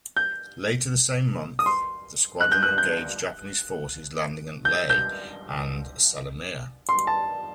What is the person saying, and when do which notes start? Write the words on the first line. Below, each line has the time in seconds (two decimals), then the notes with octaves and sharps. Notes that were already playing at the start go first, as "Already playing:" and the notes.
Later the same month, the squadron engaged Japanese forces landing at Lae and Salamaua.
0.17 G6
1.59 D#6
1.66 C6
2.40 F#6
2.52 G6
2.63 F#6
2.78 G6
4.65 G6
4.90 G6
6.89 C6
7.07 A5